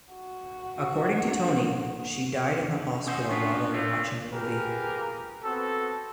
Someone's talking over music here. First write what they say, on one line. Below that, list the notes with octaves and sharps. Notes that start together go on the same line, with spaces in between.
According to Tony, she died in the hospital while they were watching a movie.
F#4
A#3 D4 A4
A3 C#4 D#4 C5 F#5 D#6
F3 B3 D4 F4 C#6
A3 C4 F4
F4 G4 G#4 A#4 B4
B3 C4 F#4 A4